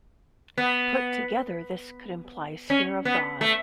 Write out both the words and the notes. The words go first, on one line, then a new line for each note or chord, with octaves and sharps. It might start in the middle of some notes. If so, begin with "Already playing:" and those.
Put together this could imply Spear of God.
B3
C#4
B3
A3